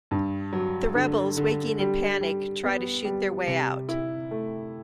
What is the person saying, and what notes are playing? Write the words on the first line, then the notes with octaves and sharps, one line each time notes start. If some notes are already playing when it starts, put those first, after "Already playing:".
The rebels, waking in panic, try to shoot their way out.
G2
F#3
D3
D3
G3
G3
B3
G3
C3
E4
A3